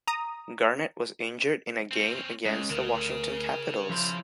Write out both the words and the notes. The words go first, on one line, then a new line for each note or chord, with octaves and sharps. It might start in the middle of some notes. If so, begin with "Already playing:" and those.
Garnett was injured in a game against the Washington Capitals.
A#5 D#6
C4 C#4
G#2 G#3 C#4
D2 C#3 A#4
F3 E4 C5